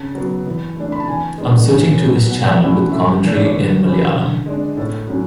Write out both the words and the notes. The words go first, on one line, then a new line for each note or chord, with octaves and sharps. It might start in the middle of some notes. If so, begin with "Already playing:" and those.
I’m switching to this channel with commentary in Malayalam.
Already playing: C#3 A5
F#3 B3
E3
A3 D4
B5
A5
E3 G#5
G#3 B3 D4
A2
F#3 B3
B2 F#5
D5
E5
F#3 A3 C#4 E4
F#5
C#3 E5
E3 A3 D4
D5
C#5
D3 B4
F#3 C#4 E4
D3
G#3 D4
A2 A4
F#3 C#4